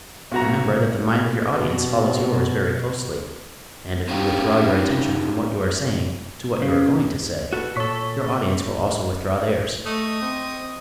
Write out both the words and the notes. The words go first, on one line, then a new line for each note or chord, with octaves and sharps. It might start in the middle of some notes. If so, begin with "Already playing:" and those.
Remember that the mind of your audience follows yours very closely, and if you withdraw your attention from what you are saying to what you are going to say, your audience will also withdraw theirs.
B1 F#4 A#5
B2
C4 C#4 D#4 G4 F5 G5
C#3
F#4 A4 B4
A#2 A4 C#5 C#6 B6
A3 D#5 C#6 D#6
C4